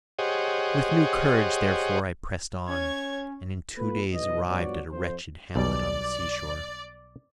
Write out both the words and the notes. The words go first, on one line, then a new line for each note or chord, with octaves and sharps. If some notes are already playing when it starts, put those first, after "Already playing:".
With new courage, therefore, I pressed on, and in two days arrived at a wretched hamlet on the seashore.
G4 G#4 C5 C#5 D#5 F#5
C#4 C#5 G#6
A#3 F4 A4 B4
B1 E2 B3 D#5
G2 F3 B3 F#4 C#5 D5
F2 C5
B1 B2 G3 D5